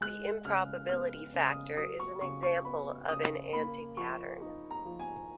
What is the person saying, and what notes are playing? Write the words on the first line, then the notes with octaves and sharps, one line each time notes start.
The improbability factor is an example of an anti-pattern.
G#3 F#6
C#3 F6
B3 F6
C#3
D#6
F#3 D#6
C#6
C#3 C#6
C#6
B3 B5
C#3 D#6
A#3 B5
F3 C#6
D#4
A#5
F3
G#5